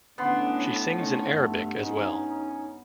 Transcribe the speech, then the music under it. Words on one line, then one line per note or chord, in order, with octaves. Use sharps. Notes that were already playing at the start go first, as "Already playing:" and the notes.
She sings in Arabic as well.
A2 D3 B3 C#4 D4 F#5 C6
A3 C#4 D#4 C#5
G2 A3
C#4 D#4